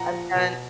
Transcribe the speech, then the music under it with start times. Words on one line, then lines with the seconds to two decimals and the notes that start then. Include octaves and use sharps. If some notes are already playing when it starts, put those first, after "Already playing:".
I've done
Already playing: A#2 F3 F#5 A#5 A#6
0.13 F3
0.35 B2